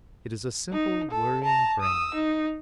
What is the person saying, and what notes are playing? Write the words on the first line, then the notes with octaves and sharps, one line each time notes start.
It is a simple, worrying brain.
D#4
A4
A5 A#5
D#6 E6
D#4